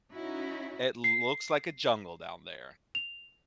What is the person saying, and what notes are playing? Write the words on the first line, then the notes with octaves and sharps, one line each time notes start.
it looks like a jungle down there,
C#4 D#4 E4 F#4
C7
F7